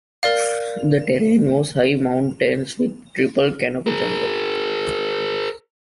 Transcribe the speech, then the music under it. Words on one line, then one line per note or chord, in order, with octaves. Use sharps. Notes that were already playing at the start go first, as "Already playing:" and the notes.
The terrain was high mountains with triple canopy jungle.
A#4 D5 F5
G#4 A#4